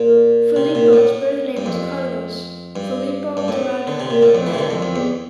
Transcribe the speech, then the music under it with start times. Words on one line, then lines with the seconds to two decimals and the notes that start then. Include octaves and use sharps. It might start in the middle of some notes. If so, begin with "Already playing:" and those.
Filipo's birth name was Carlos Filipo Tirado Perea.
Already playing: A#2
0.56 C3
0.75 A#2
0.93 A2
1.57 G2
1.66 F2
2.76 G2
3.37 G2
3.48 A2
3.88 D3
4.00 C3
4.10 A#2
4.23 A2
4.35 F2
4.47 E3
4.54 C3
4.59 D3
4.71 F2
4.82 F2
4.96 E2